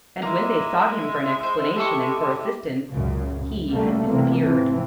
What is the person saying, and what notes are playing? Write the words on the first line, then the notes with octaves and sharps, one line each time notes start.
And when they sought him for an explanation and for assistance, he had disappeared.
G#3 A#3 E4
C5
G4 A4 C6 C#6
C#2 F#2 A#2 C#3
B2 G3 A3 A#3 C#4
C3 E3 A3 A#3 C4
G#2 C3 E3 F3 C4